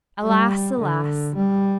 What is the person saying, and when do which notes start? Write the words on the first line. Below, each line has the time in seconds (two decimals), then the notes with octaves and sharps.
Alas, alas!
0.23 G3
0.79 D3
1.35 G3